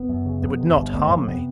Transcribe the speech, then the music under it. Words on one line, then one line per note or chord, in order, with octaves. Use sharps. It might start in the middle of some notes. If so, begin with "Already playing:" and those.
They would not harm me.
Already playing: F#1 B3
F#2
C#3
F2 B3
C3
G1
G1 A3
F2 A#3
C3 B3